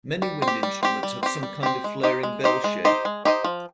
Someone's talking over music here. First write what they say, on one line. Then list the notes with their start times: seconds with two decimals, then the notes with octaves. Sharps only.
Many wind instruments have some kind of flaring bell shape.
0.22 G3
0.42 C4
0.48 G4
0.63 G3
0.83 C4 G4
1.03 G3
1.23 C4 G4
1.43 G3
1.63 C4 G4
1.84 G#3
2.03 D#4 G4 C5 D#5
2.23 G#3
2.44 D#4 G4 C5 D#5
2.64 G#3
2.85 D#4 G4 C5 D#5
3.05 G#3
3.25 D#4 G4 C5 D#5
3.44 F3